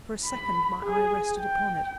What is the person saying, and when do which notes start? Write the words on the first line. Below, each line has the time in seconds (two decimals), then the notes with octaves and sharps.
For a second my eye rested upon it.
0.24 B5
0.83 G#4
1.37 G5